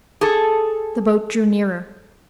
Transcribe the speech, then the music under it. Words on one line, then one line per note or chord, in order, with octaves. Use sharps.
The boat drew nearer.
G#4 A4